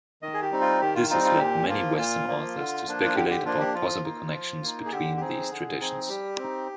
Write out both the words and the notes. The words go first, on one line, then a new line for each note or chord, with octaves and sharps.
This has led many western authors to speculate about possible connections between these traditions.
D#3 D#5
G#4
G4
G3 C4 D#4
F4
D#3 G4
F4
G3 C4 D#4 F4
F4
A#2 G4
F3 A#3 F4
A#2 F4
F3 A#3
D3
F3 A#3 D4
F4
D3 G4
G4
F3 A#3 D4 F4
G4
F3 F4
A#3 D#4
F3
A#3 D#4
G#4
D3 G4
G4
F3 C4 D#4 G#4
D3
F3 C4 D#4
G3 G4
C4 D#4